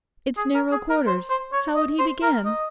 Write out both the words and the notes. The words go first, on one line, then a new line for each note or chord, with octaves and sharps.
It's narrow quarters; how would he begin?'
G#4
A#4
G#4
A#4
C5
C5
C#5
D#5
C5
A#4
D#5